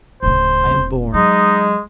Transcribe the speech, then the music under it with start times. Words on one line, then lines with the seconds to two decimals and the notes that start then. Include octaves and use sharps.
I am born.
0.23 D1 C#3 C5
0.71 E1 C4
1.14 F#3 G#3 D#4